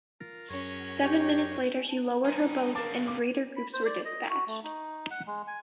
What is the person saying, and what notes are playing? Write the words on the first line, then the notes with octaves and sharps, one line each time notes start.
Seven minutes later she lowered her boats and Raider groups were dispatched.
F4 A#4
F#2 C#4 G#4 A#4 C#5
G4
G2 D4 D#4 C5 G#5
C#3 A#3 A#4 A5 D6
D6
B5
C5
D5
D#5
F#4
A3
D#4
F#5
G#3
G#5